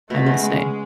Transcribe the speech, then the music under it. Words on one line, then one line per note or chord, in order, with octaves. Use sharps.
I will say.
B2 A3 B3
C#3 C#4
G#3